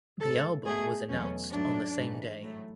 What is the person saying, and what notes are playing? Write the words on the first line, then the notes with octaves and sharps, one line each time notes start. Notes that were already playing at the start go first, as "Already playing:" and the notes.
The album was announced on the same day.
A2 G#3 A4
B2 A3 G#4
E2 B2 F#3 A3 C#4
G#2 F#3 A3 D4
G#2 E3 A3
A2 F#3 A3